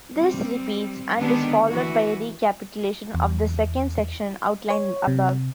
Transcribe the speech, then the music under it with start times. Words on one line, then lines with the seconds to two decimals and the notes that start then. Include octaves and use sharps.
This repeats, and is followed by a recapitulation of the second section outlined above.
0.15 G3 C4
1.19 D3 D#3 G#3 B3 D4 G4
1.67 E3 F#4
3.14 E2
4.70 C#5
5.07 C3